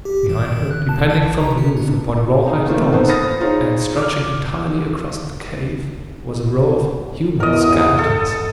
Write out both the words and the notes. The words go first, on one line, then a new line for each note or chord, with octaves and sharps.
Behind her, depending from the roof upon rawhide thongs, and stretching entirely across the cave, was a row of human skeletons.
G4
D#3
F#6
A5
D#3
A#1
A#5
C3
D4
D#4 G#4
C3 D#3 A3 A#3 F4
B3 D#4 A4 C5
C5 B5 D#6 F6 A6 A#6
D#4 F4 G#4 C5 C#5
D6 F6
E2 A#4 D#5
A4